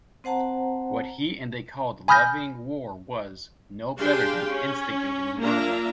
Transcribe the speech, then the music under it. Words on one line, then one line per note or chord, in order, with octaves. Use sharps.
What he and they called levying war was, no better than instigating murder.
C4 C5 F#5 A5 A#5
G#5 B5 D#6 F6 G6 A#6
D4 G4 G#4 F5 G5 C6
C#4
A#3 D4 F4 E5 F5 A#5